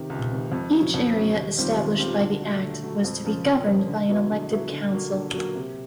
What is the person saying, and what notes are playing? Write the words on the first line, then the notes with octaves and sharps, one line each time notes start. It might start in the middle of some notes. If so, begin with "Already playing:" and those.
Each area established by the Act was to be governed by an elected council.
Already playing: C3 D#3
C#2
C3 D#3
F2
C#3 F#3
F2
C#3 F#3
D#2
D#3 G3 C4 F4
D#2
D#3 G3 C4 F4
D3
F#3 A3
D3
F#3 A3
F2
C#3 F3 A#3
F2
C#3 F3 A#3
D3
F#3 B3 E4
D3
F#3 B3 E4
D3
F#3 A#3
D3
F#3 A#3
C3